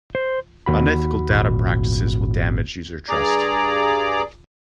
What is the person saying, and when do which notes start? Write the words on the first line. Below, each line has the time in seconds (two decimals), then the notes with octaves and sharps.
Unethical data practices will damage user trust.
0.15 C5
0.66 D#2 F#4 B5
1.30 G#1 A#2
3.09 G2 G#4 D5 A#5 D6